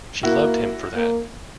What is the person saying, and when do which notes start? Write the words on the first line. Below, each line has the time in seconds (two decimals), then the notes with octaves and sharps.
She loved him for that.
0.23 A#3 E4 F#4
0.95 A#3